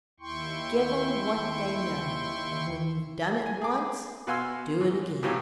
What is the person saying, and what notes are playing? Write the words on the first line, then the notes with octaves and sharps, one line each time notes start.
'Give 'em what they know, and when you've done it once do it again.'
D#2 E4 G5 C6 C#6
G#5
G#4 D6
B2 B4 F5 G#5 C6 E6
G#2
A2 C3 E3 F#3 F4 G4